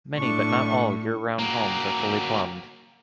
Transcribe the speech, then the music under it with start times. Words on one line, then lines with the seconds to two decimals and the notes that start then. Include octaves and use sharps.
Many but not all year-round homes are fully plumbed.
0.17 A2 D4 C#6
1.39 F#3 A#3